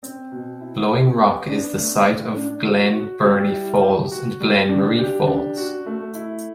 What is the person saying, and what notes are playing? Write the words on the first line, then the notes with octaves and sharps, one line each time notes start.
Blowing Rock is the site of Glen Burney Falls and Glen Marie Falls.
C4
B2
E4
G4
B3
D4
A3
A2
D4
F#4
F#4
G3
E4
G4
F#4
G3
D4
G4
D4
F#4
A3
E4